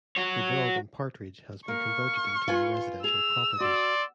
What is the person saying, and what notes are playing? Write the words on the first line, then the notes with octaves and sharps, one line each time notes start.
The Dog and Partridge has been converted into a residential property.
F#4 C#5
A#3 C#6 F6
F4 B4 G#5
G#4 E6 F7
F#4 D5 C6